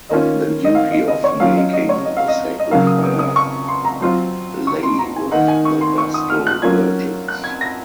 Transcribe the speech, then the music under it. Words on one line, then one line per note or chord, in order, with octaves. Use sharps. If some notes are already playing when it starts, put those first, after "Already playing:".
The duty of making the sacred fire lay with the Vestal virgins.
D#3 A#3 C#4 F4 D#5
D#5
F5
D#5
D#5
C#5
F#3 C#4 F4 F5
D#5
D#5
C#5
D#5
F5
D#5
D#5
C#3 F#3 A#3 F5
D#6
D#6
D#6
C#6
C6
A#5
F#3 C4 F4 C6
C#6
C6
A#5
G#5
D#3 A#3 D#4 F#5
G#5
C#6
C6
C#6
D#6
F6
F#6
F#3 A#3 C#4 F4 G#6
F#6
G#6
A#6